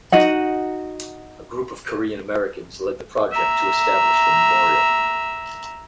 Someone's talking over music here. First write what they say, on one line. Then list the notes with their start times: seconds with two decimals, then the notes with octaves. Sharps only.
A group of Korean Americans led the project to establish the Memorial.
0.12 D#4 F#4 D#5 F#5
3.32 E5 A#5